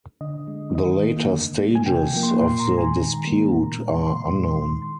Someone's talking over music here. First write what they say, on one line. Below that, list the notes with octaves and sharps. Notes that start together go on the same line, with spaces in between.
The later stages of the dispute are unknown.
D3 D#5
G#3
D#3 D#5
A#3
D3
G3 A#3
G#5
C3 G5
F3 A#3
C6
A#2 C6
A#5
G#3
G#5
D#3 A#5
G3 A#3
A#2
G#3
A#2 C6
C6
G#3
C6
D#3